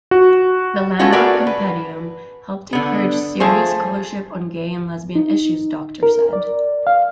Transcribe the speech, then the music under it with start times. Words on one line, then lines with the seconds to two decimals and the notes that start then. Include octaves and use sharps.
The landmark compendium helped encourage serious scholarship on gay and lesbian issues, Docter said.
0.11 F#4
0.99 A3 B3 C#4 F4 F#4
1.12 A3 F#4 G#4 A#4 B4 D5
1.47 B4
2.73 D3 B3
3.40 F3 A3 G#4 C5
5.15 D#4
6.03 A#4
6.33 D5
6.87 F5